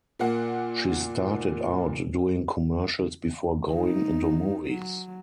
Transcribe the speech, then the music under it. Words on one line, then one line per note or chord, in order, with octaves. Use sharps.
She started out doing commercials before going into movies.
A#2 A#3 F#5
D#4
F#3